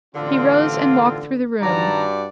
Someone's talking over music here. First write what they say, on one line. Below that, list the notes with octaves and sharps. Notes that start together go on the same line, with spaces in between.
He rose and walked through the room.
A1 D3 C4 F4
G2 D#3 F#4 D5 A5 A#5